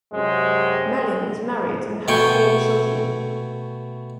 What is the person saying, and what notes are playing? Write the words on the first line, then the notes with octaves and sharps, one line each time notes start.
Meling is married and have four children.
F#2 C3 G#3 C5
B2 A3 G5 G#5 C#6